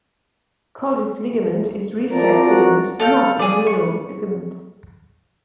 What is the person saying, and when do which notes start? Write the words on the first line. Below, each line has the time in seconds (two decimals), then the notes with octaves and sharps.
Colles' ligament is reflex ligament not inguinal ligament.
2.12 E2 F3 C4 A#4 D5 A#5
2.44 F#4
3.00 A4 F5 G5
3.39 G#4 D5
3.67 C#6